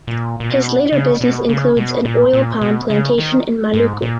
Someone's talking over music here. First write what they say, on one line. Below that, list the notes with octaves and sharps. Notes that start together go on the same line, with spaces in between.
His later business includes an oil palm plantation in Maluku.
A#2
A#2
B2
C#3
B2
C#3
B2
A#2
A#2
B2
C#3
D#3
G#2
A#2